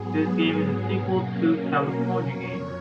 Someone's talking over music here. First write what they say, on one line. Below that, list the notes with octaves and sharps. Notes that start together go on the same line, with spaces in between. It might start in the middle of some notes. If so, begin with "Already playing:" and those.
This game is a sequel to "California Games".
Already playing: G#2 F#3 B3 G#4
G#4
B2 F#3 A#3 C#4
A#4
F2 C#5